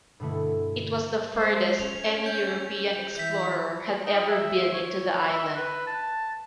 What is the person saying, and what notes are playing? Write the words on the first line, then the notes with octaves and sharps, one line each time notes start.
It was the furthest any European explorer had ever been into the island.
G2 B2 D3 A3 E4
G#3 C5
C#4 F7
G6
E3 E5 G6 B6
D#4
E5
C#5
E5
B4
A5